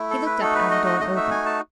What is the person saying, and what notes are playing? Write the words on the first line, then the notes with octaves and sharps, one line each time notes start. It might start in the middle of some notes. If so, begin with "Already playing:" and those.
He looked up as the door opened.
Already playing: A3 E4
A4
B4
A3 D#4 F#4 A4
B4
D#5
D#5
A3 D#4 F#4 D#5
E5
G#5
A5